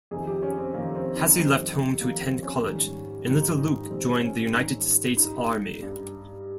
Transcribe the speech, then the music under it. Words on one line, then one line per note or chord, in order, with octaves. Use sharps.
Hassie left home to attend college, and Little Luke joined the United States Army.
F2 C3 D#3 G#4
G4
C#4
C4
F2 C3 D#3 A#3
C4
D#4
F2 D#3 G3 C4
F2 D#3 G3 A#3
C4
C#4
G#2 D#3 G3
G#2 D#3 G3 D#4
D#4
G#2 D#3 G3 C4
C#4
G#2 D#3 G3 D#4
G2 G3 D#4
G2 G3